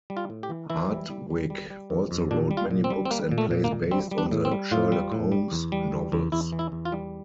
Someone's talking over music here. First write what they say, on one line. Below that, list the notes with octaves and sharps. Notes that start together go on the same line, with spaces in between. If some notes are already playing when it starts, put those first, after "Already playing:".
Hardwick also wrote many books and plays based on the Sherlock Holmes novels.
G3
F4
A2
G4
E3
E3 E4
G3
G3
G3
G3
G3
F2
F2
A#2 D4
G3
F4
A#2
C4
G3
C4
G3 A#3
A#2
A3
A#2
A#3
A#2
G3 C4
G3
D4
A2
C4
G3
A2 F4
G3
A2
G3
E2
G3
E2
E2
E2 E4
E3
E4
E2
F4
G3